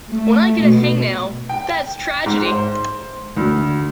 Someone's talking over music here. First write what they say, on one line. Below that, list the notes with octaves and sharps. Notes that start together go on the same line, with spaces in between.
When I get a hangnail, that's tragedy.
A3
B2
G5
G#2
C5
D2